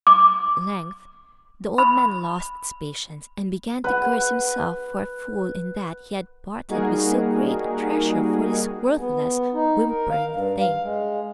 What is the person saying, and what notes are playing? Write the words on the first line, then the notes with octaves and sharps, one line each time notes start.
At length the old man lost patience, and began to curse himself for a fool in that he had parted with so great a treasure for this worthless, whimpering thing.
D6
B5
B4 F#5
G3 A#3 D#4 F#4 G#4 A#4
B3
D#4
A#4
F5
G2
F5
G#3